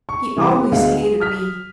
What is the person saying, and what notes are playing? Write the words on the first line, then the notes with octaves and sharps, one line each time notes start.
He always hated me.
C#6
C3 E3 G3 B3
B3
D2 G#3 B3 F5
G#4
D#6 F6 B6